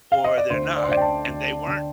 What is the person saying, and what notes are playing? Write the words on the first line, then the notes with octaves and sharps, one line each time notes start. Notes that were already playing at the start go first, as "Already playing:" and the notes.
or they're not and they weren't.
F5
D#5
D5
D2 C5
D5
C5
D2 D5
G5
A5
D2
D3